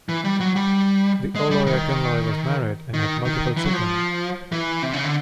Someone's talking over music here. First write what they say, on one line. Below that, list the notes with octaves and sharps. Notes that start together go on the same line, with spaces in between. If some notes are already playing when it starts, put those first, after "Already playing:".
The Oloye Akinloye was married and had multiple children.
E3
G3
F#3
G3
G#3
G3
D#3
D#3
D#3
E3
F#3
F3
E3
C3
C#3
D3